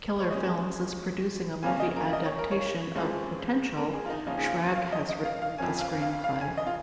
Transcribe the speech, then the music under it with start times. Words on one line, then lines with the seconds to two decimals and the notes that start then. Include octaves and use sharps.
Killer Films is producing a movie adaptation of "Potential"; Schrag has written the screenplay.
0.20 C#5
0.31 A#2 G#3 C#4 D#5
1.63 F2 C#3 A#3 C#4 G#5
1.80 D#5
1.96 A#4
2.13 D#5
2.25 C#5
2.39 A#4
2.51 C#5
2.95 F2 F3 G#3 C#4
3.77 A#4
3.93 G#4
4.06 F4
4.10 D#4
4.27 F2 C#3 F3 A#3 C#4 D#4
4.37 G#4
4.44 F4
4.68 G#5
4.75 F5
4.92 D#5
5.09 D#5
5.25 F5
5.42 F5
5.58 F2 F3 C#4 G#5
5.81 F5
6.02 F5
6.24 F5
6.41 G#5
6.57 D#5
6.66 F4